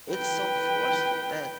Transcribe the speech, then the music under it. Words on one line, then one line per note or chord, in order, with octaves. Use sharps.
it's so forceful that
B4 G5